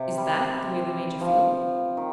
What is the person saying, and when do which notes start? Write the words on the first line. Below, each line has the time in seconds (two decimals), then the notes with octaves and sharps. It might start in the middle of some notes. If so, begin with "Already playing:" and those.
"Is THAT the way they made you feel?"
Already playing: C3
0.18 G3
1.21 F3
1.97 D#3